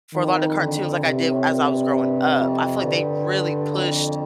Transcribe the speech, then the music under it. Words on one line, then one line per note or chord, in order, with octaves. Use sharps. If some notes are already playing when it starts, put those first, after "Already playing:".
for a lot of cartoons like I did as I was growing up. I feel like they really pushed
F2 D#3
D3
G2 C3
A2
A#2
G2
G2
F2
G2 D3
F2